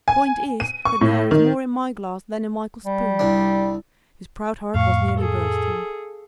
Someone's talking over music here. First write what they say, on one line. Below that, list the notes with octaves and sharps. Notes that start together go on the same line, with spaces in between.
"The point is, that there is more in my glass than in Michael's spoon." His proud heart was nearly bursting.
G#5
D#7
C#6
A2
D#3
G3
C2 D4
F2 A2 F5 C#6
G#4 A4